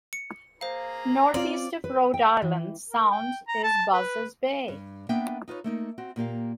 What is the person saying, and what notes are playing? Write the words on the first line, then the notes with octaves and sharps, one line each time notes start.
Northeast of Rhode Island Sound is Buzzards Bay.
C#7
A#3 G#4 C5 F5 A#5
C4 C#4 F4 D5
B4
G5
E3
A#4
G5
A#5
A5
B4
G2
A#3 B3 D4 E5 G5
D#4 F4 B4 C#5
A3 A#3 D#4
C4 F#4
A#2 A#3 G4 F5